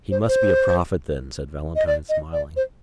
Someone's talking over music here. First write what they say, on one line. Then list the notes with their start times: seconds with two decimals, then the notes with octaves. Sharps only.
"He must be a prophet, then," said Valentine, smiling.
0.11 C5
0.28 C5
1.76 D#5
1.87 D5
2.09 D#5
2.33 D5
2.56 C5